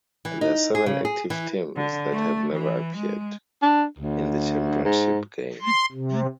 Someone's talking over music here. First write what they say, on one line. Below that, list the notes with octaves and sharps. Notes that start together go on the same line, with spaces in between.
There are seven active teams that have never appeared in the championship game.
E3
D#4
G#4
C#3
G#4
E3
D3
A3
E3
G#3
D4
D2
G#2
C6
C3